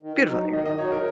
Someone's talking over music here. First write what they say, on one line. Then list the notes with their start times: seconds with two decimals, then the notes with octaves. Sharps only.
beautiful area.
0.03 D#3
0.28 F#3 D#4
0.53 D#3 D#5
0.66 D#5
0.78 F#3 D#4 C#5
0.92 A#4